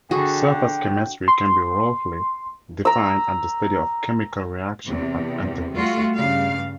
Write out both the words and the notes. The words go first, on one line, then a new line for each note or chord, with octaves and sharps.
Surface chemistry can be roughly defined as the study of chemical reactions at interfaces.
D3 F#4 G#4 G5
C6
A#5 E6
E2 C3
G3 A3 F4 F#4
G2 C#3 G3 F5